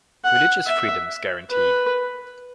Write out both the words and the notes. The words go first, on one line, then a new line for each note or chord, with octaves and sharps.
Religious freedom is guaranteed.
F#5
E5
B4